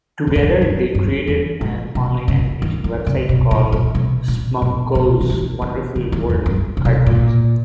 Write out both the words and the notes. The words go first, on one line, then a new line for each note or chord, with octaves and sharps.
Together, they created an online animation website called "Spumco's Wonderful World of Cartoons".
E2
F#2
E2
F#2
F#2
E2
G#2
B2
C#3
D#3
D#3
C#3
B2
A#2
A#2
B2
A#2
B2
B2
E3
D#3
D#3
C#3
D#3
E2
F#2
C#3
B2
A#2